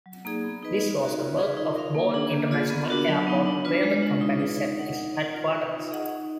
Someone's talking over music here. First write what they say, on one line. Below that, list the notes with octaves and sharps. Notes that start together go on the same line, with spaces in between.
This was the birth of Bole International Airport, where the company set its headquarters.
F#3
A#3 D#4 G#4 D5
B3
D#4 G#4 B4 D#5
D#4
F#4 A#4 D5 F5
F4
G#4 B4
D#4
A#4 F5
A#3
D4 G#4
A#3
F4 G#4 D5
B3
D4 F#4 A#4
F#3
B3 D#4
D4
F4 B4 D5
G#3
D4 F4
D#4
G#4 B4
D#4
A#4 D#5 F#5
D#4
A#4 D#5 F#5
F4
B4 D#5
D#4
G#4 D#5 F#5
D#4